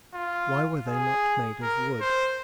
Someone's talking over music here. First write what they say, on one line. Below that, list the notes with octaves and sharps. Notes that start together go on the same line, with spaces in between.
Why were they not made of wood?
F4
G#4
A#4
C5